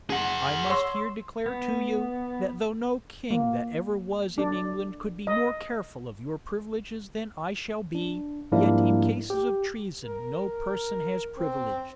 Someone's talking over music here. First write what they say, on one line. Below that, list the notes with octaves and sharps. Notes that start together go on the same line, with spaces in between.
I must here declare to you, that though no king that ever was in England could be more careful of your privileges than I shall be, yet in cases of treason no person has privilege.
G#4 F#5
C#5 C6 E6
B3
A#3
D4
D#5
D4
G#2 F3 G3 A#3 D4 E4
G4
A#4
C4